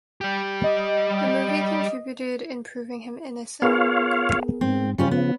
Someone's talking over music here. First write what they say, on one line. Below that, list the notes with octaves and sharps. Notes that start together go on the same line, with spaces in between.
The movie contributed in proving him innocent.
G3 G4
D#5
B3 F4 G#4 A#4 C#5 F5
G#2 C4
C#3 F3 G3 C#4 F4
B3